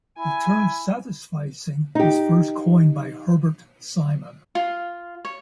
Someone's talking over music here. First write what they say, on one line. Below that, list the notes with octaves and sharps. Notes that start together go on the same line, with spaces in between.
The term satisficing was first coined by Herbert Simon.
E4 G#5
D#4 G4
F4
C#5